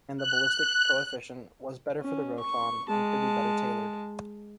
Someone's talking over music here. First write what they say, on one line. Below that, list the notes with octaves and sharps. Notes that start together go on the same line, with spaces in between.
And the ballistic coefficient was better for the Roton and could be better tailored.
F#6
C#4
C#6
G#3 A5